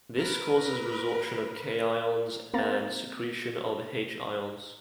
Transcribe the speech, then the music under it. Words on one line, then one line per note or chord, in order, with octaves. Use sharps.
This causes resorption of K ions and secretion of H ions.
A#4 B4
A#3 C4 F5 A#5 A6